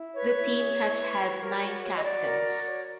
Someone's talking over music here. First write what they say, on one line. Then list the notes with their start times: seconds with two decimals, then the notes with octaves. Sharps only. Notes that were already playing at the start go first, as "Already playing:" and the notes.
The team has had nine captains.
Already playing: E4
0.14 B4 C#5
0.35 E4
0.57 G#4
0.78 E4
0.98 B4
1.19 F#4
1.40 A#4
1.61 F#4
1.82 C#5
1.96 D#5
2.03 F#4 D5
2.25 A#4
2.46 F#4
2.67 C#5